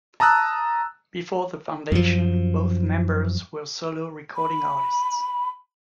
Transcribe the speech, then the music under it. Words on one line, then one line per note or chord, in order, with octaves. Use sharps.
Before the foundation, both members were solo recording artists.
A5 A#5 D#6 E6 F#6
F#2 F3
B5